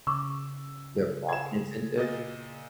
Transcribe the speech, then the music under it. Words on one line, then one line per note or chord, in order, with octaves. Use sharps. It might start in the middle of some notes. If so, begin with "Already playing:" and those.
their profit incentive,
C#3 C#6 D6 E6
G#4 G#6 E7
A#2 D#5 A6